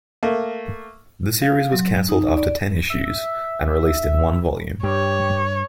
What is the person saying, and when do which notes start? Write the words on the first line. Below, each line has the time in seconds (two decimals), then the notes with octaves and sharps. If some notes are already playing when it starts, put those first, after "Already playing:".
The series was canceled after ten issues and released in one volume.
0.23 A3 A#3
1.42 F5
1.72 F#3
2.09 D#4
2.37 D5
2.90 E5
4.83 G2 G4 C#5